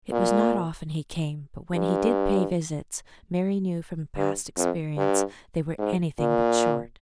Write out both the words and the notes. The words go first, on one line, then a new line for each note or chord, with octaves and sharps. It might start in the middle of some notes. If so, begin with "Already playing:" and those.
It was not often he came, but when he did pay visits, Mary knew from past experience they were any thing but short.
A#2
G2
G2
F2
G2
G#2
A#2